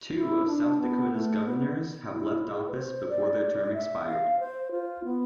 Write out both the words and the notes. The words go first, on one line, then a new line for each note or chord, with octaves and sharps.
Two of South Dakota's governors have left office before their term expired.
E4
D4
B3
A3
B3
E4
F4
G#4
B4
C5
D5
E5
F5
C5
F4
B3